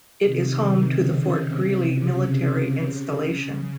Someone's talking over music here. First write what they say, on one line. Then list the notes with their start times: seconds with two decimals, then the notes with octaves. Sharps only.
It is home to the Fort Greely military installation.
0.23 C3 D#3
0.92 C#3
1.26 C3
1.59 C3
1.93 C#3
2.62 C#3
2.95 C#3